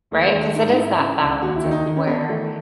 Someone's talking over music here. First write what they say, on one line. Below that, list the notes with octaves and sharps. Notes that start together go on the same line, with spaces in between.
Right, 'cause it is that balance of where
D#2 A3
G#3
D#3
A3
G#2 D#4
D#4
G#2 E4
C#3
C#2
D#2 F#4
E4
D#3
D#4
D#3
C#4
D#3 B3
E3 A3